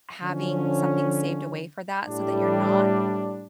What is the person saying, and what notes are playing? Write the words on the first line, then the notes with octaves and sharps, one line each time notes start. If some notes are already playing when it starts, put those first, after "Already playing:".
having something saved away for that so that you're not
D3 F3 C#4
A2 G3 D4